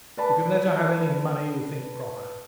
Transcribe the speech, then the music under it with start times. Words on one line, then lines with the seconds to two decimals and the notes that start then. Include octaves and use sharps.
You can let her have any money you think proper.
0.17 B4 D5 A5 B5